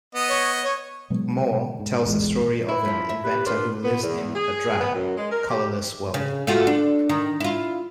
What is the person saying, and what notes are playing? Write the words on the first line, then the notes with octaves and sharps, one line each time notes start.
"More" tells the story of an inventor who lives in a drab, colorless world.
B3 D#5
C#5
C#5
B2 F#3 G#3 B3
G#2
D#1 A1 E2 G#3
E4 B4
F#2 F3 B6
E5
G4 B4
D4 F4 A#4 B4
B3
E2
G#4
B3
F#2
G#3
A#4
G4
C#3
A3 F4 F#4
D4
D#3
E4 F4